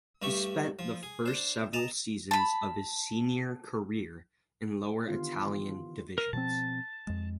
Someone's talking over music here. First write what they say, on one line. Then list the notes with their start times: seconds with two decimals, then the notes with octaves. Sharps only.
He spent the first several seasons of his senior career in lower Italian divisions.
0.22 G2 A3 G4 C#6
0.79 F3
1.03 G#4
1.26 D4 C5
1.73 D#5 A5 A#5
2.31 A5 B5
5.08 D3 D#3 B3 F4 G4 F5
5.40 E3
6.18 A#4
6.33 B2 F3 C4 A5
7.07 F2 G#3